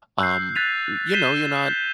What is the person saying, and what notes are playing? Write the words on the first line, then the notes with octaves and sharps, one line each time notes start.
um, m you know, you're not,
E6 F#6 G6 C7
F#6 G#6 A6 B6 D#7 F7
G6 B6 C7 D#7 E7 G7
G6